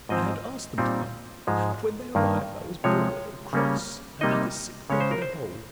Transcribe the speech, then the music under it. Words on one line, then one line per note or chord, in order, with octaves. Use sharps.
I had asked them to come, but when they arrived I was bored and cross, and like a sick dog in a hole.
G#2 F3 C4 D#5
A#2 G3 C4 D#4
G#2 F3 G#3
G2 D#3 A#3
C3 F3 G#3 C#5
C#3 G3 A#3 C#4
C3 G3 A#3 D#4 D#5
C#3 G#3 C#4 C#5
C5
A#4
C5